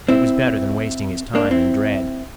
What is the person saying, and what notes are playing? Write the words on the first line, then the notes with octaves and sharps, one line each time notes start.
It was better than wasting his time in dread.
C4 E4
A#3 D4
C4 E4